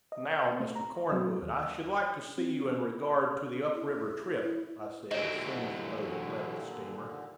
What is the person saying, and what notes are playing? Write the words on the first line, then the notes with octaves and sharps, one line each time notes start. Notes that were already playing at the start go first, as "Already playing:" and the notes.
"Now, Mr. Cornwood, I should like to see you in regard to the up-river trip," I said, as soon as the boat had left the steamer.
D#5
A3
A#5
F#3
D#2
C4
E4
D#2 A#2 D3 E3 F#3 D#4